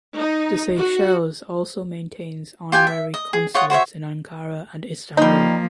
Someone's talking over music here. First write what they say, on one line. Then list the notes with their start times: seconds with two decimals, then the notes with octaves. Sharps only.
The Seychelles also maintains honorary consulates in Ankara and Istanbul.
0.17 D#4
0.78 F#4
2.72 F4 G4 G5 G#5
2.87 E5
3.14 D#5
3.33 G#4
3.54 F4 C#5 D#5 F#5
3.70 F#4 C5 C#5 E5
5.17 F3 G3 A#3 D#4